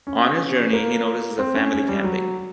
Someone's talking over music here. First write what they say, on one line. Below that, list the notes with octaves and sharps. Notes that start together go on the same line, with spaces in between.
On his journey, he notices a family camping.
C#4
A#3
C4
C#4
C#4
G3
F#3